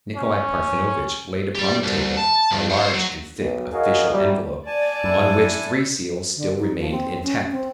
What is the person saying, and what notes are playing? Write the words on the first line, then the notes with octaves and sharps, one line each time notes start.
Nikolay Parfenovitch laid upon the table a large and thick official envelope, on which three seals still remained intact.
C#4
G4 D5
C2
A5
G2
C5 C#5
F#3
B1
F#4 G#4 A#4 C#5 D#5 F5
E3 F#3 G3
D5 G#5 A5
F#2 D4 E4 A4
D3
D#4
F3
C4
C#4
C4